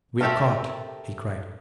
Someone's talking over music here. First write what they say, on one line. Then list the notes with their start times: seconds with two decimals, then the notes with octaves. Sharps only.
"We're caught!" he cried.
0.21 A3 C4 G4 A4 A#4